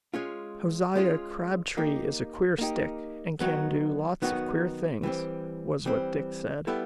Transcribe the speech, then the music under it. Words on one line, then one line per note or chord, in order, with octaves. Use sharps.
"Josiah Crabtree is a queer stick and can do lots of queer things," was what Dick said.
G#3 C#4 F4
G#3 C#4 F4
A#3 D#4 G4
A#3 D#4 G4
D#3 F#3 B3 D#4 F#4
D#3 F#3 B3 D#4 F#4
E3 G3 C4
E3 G3 C4
G3 B3 E4 A4